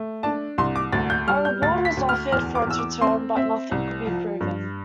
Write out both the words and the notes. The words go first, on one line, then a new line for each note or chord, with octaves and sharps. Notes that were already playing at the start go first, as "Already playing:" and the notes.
A reward was offered for its return but nothing could be proven.
Already playing: A3
D4 A5
C2 C6
D6
D2 A6
G6
G3 F6
G6
D2 A6
B6
D2
F6
E2 F6
D6
E2 E6
D6
C4 C6
C4 E5
C2
F3
G2